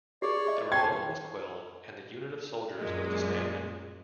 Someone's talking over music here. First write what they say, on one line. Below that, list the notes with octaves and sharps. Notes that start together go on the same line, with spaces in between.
The revolt was quelled and the unit of soldiers was disbanded.
G4 G#4 C#5 D5
D#5 C#6
C#4 G5 A5 C6 G#6
F#2 A#2 G#3